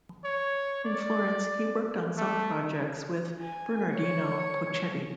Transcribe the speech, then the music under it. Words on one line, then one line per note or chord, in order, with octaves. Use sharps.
In Florence, he worked on some projects with Bernardino Poccetti.
C#5
D5
A3
G#5
C#5